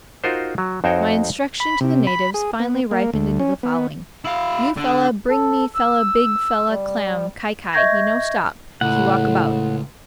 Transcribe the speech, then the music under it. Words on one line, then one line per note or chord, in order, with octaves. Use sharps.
My instruction to the natives finally ripened into the following “You fella bring me fella big fella clam—kai-kai he no stop, he walk about.
D#4 F4 F#4 A#4 C5
F#3
F2 D#4 F#4 C5 C#5 G5
B5
C3
B5
G#4
B3
A#3
D2
C#4
B3
E4 F5
D3
A4
E6
G3
D#5 E5 C#6 G6 G#6 A#6
C#2 A2 F#5